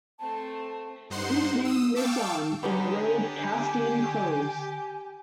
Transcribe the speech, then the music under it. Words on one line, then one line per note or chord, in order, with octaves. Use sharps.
His name lives on in the road Casstine Close.
A3 C4 A5
G2 D#4 C5 F#5 C6
D#6 E6
F5 G5 A5 C#6 D6 E6
D3 B3 C#4 D#4 G4 G#5